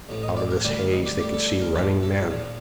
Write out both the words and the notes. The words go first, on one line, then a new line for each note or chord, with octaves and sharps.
Out of this haze they could see running men.
A1 A2 F3
D#5
D5
A#4
D2 D3 G3 G4
F4
D#4
G4
D2 D3 G3 G4
A4
A4
A#4
A#1 A#2 F3 A4
A4
A#1 A#2 F3